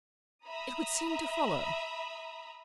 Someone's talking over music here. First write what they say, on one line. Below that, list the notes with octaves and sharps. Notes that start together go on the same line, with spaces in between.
'It would seem to follow.'
E5 A#5 B5 D#6